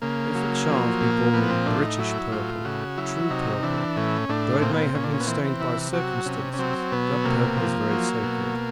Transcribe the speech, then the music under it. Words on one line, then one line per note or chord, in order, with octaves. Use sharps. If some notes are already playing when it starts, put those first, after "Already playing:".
If a child be born in British purple,--true purple, though it may have been stained by circumstances,--that purple is very sacred.
C#3 A#3
F#3
F3
A#2
F3 B3
C4
A2 D4
D#4
F#3 E4
A2 F4
C#3 F#4
F#3 E4
C3 D#4
E3 D4
A2 C#4
A2 D4
A#2 C4
B3
C4
A#2 C#4
D4
C#4
B3
E3 C4
C4
C3 E4
F#3 F#4
C3 C#4
C#4
F#3 C4
B2 B3
C3 A#3
F3
F#3
B2